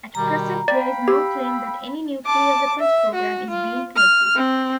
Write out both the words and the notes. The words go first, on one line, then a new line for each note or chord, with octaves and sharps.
At present there is no claim that any nuclear weapons program is being pursued.
B2 D#3 G3 A#5
D5 F5 G5 B5
G4 E6
A5 D6
E5
F#4
F4
F6
C4